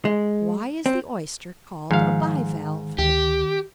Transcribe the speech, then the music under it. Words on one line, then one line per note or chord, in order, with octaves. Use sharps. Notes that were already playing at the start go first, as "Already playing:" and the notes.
Why is the Oyster called a bi-valve?
G#3
C4
G#2 D#3 F3 F5
D2 D#3 G4